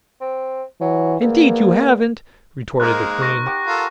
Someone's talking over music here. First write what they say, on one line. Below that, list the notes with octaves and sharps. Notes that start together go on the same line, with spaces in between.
"Indeed you haven't!" retorted the Queen.
C4
E3 F#3
E2 A#3
G#3 A#3 D#4 A#4 C5 F#6
C#6 A#6
G4 F#5 D6
F4 A4 A#4